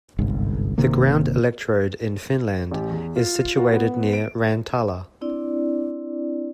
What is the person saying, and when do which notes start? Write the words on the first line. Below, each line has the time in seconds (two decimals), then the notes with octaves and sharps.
The ground electrode in Finland is situated near Rantala.
0.19 G1 C2 G#2
0.78 G1 C3 D#3 A#3
2.71 A1 G4
2.91 E2
3.16 F4
3.56 F4 F#4 A#4
3.73 B3 F#5
4.13 D7
5.21 C4 D4 E4 D5